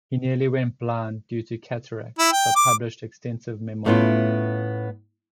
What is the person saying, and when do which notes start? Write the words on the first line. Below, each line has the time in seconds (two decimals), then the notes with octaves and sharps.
He nearly went blind due to cataract but published extensive memoirs.
2.19 E4
2.32 G5
2.56 D6
3.86 A2 A3 B3 C#4 E4 F4